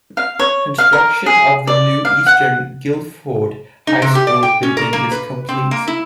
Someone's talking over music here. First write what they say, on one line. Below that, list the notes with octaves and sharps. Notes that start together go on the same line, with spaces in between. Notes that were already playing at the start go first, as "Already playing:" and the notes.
Construction of the new Eastern Guilford High School building is complete.
F5
C#5
F5
A#4
G#4
D5
F5
F#5
D#4
C3
G4
D5
G5
C#4
A#4
A#3
B4
C4
A#3
E4